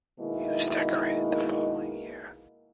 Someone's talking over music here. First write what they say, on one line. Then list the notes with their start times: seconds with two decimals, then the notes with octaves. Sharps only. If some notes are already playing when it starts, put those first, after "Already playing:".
He was decorated the following year.
0.20 B2 D#3 G#3 A#3 E4